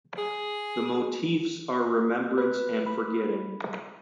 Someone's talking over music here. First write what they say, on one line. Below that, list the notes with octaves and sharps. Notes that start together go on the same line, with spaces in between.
The motifs are remembrance and forgetting.
G#4
B4
B5